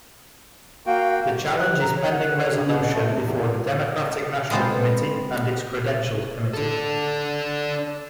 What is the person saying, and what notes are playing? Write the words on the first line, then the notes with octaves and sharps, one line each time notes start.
The challenge is pending resolution before the Democratic National Committee and its Credentials Committee.
A#3 F#4 F5 G5
G3
F#6
A#5
C#5
F#5
C#5
G2
B2
A3
C3
E2
G#3 B3 C4 F4 A4 C5
D4 A4